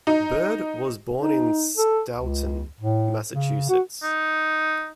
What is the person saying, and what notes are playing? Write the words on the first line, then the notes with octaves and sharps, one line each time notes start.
Bird was born in Stoughton, Massachusetts.
D#4
D#4
A4
C#2
A2
C#3
F#4
D#4